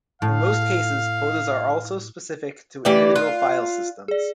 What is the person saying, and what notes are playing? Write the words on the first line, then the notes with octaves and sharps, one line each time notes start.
In most cases, quotas are also specific to individual file systems.
A2 F5
E3 A3 G4 B4 D5 E5
F4 F#6
G#4 D5